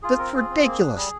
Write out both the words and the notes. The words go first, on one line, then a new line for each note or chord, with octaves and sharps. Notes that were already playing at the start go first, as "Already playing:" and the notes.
That's ridiculous.
F4 G#4
C4 A#4
F4 G#4
C4
A#3
D4
G3 G#4